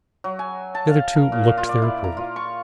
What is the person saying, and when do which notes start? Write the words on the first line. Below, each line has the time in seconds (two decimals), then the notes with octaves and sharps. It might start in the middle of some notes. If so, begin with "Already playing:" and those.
The other two looked their approval.
0.24 F#3
0.39 G#5
0.75 A5
0.87 F5
1.16 A#4
1.32 A#2
1.57 F4
1.69 D5
1.82 E4
2.04 A#5
2.17 F4
2.36 C#6